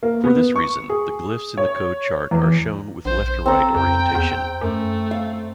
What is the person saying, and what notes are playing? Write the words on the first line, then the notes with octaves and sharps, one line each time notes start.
For this reason, the glyphs in the code chart are shown with left-to-right orientation.
A#3
B3
C#6
G#4
C#5
E2
A#1 C5
C4 A4 A#5
F2 G5
E2
F#2 A3
F5